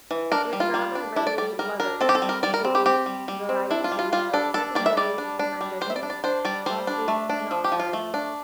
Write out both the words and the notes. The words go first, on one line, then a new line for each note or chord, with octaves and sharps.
It rather readily weathers to a variety of secondary manganese phosphates and oxides.
E3
D4 A#4
G3
F4
G3
D4
D4 E4
D5
G3 D5
G3 A#4
D4 A#4
C4 A4
G4
A4
G3
A#4
G3 D5
A#4
C4
G4
C4 G4
G3
G3
C4
D4 E4
F4
G3
F4
G3 F4
D4 A4
D4 A4
G3 D5
E5
G3 D5
D4
D4
G3
G3 C5
E5
D5
D4
D5
D4 C5
G3 D5
G3 C5
D4
A3
D4
F3
G4
F3
F4
A3
D4